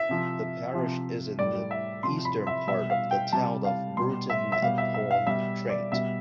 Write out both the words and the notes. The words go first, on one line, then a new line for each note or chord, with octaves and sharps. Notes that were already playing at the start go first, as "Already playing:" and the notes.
The parish is in the eastern part of the town of Burton upon Trent.
Already playing: E5
C3 F3
C3 F3
A2 G3 D5
E5
C3 F3 C6
B5
E5
B2 G3 E5
F5
G5
C3 G3 A5
F5
B2 G3 C6
E5
E5
B2 G3 F5
E5
E5
F5
B2 G3 E5
D5
B2 G3 E5